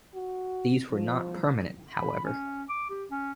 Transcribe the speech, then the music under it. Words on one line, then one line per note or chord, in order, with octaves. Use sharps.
These were not permanent, however.
F#4
F3
B5
C#4
D6
G4
C#4